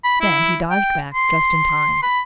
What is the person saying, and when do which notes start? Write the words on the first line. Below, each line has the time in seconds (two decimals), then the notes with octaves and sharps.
Then he dodged back just in time.
0.04 B5
0.21 E4
0.70 G5
1.14 C6
2.03 B5